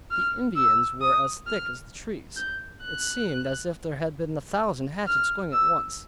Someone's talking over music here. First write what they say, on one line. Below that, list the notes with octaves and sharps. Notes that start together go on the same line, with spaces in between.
The Indians were as thick as the trees: it seemed as if there had been a thousand hatchets going at once.
F6
E6
D#6
F6
G6
F#6
F6
E6